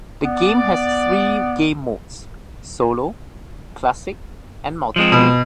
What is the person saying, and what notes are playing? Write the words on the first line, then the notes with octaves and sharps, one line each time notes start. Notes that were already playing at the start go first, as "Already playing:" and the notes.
The game has three game modes, Solo, Classic and Multiplayer.
B3 D5
F3 G#3 C4
B2